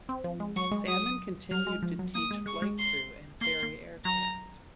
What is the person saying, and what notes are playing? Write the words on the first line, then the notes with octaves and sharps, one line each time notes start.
Salmon continued to teach flight crew and ferry aircraft.
C4
F3
G#3
F#3 C#6
G#3
F#3 D#6
F#3 F6
G#3
F3
F#3
A#3 D#6
G#3
G#3 C#6
G#3
C6
A#3 C6
A#3
F#3 A#5